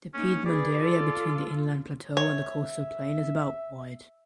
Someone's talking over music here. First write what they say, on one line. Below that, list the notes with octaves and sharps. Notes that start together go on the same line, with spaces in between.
The piedmont area between the inland plateau and the coastal plain is about wide.
A#3 C#4 D#4
G#4 B4 D5
F4 A4
C#5 E5